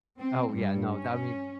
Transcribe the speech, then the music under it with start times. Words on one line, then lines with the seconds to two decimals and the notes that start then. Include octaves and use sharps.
Oh, yeah, no, that mean
0.19 C4
0.53 G2
0.91 C#4